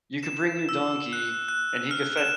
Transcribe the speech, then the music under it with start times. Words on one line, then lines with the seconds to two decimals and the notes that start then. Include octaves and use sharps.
you could bring your donkey and he could fetch"
0.23 E7
0.69 E6
1.13 F#6
1.48 F#6
1.91 F6
2.17 E7